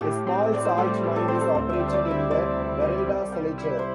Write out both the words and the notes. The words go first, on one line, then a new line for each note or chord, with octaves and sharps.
A small salt mine is operated in the "vereda" Salitre.
A2 G4
C4
A2 D5
C5
G3 A4
A2
A4
C4 C5
A4
D2 C5
D5 E5
G3
C5 D5
E4
E5
C3 D5
D2
G3
C2
G3
E4
C5